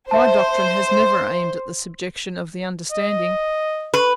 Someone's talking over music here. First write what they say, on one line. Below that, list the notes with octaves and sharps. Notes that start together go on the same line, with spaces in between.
My doctrine has never aimed at the subjection of the understanding.
C5 E5 A5
D#5
B4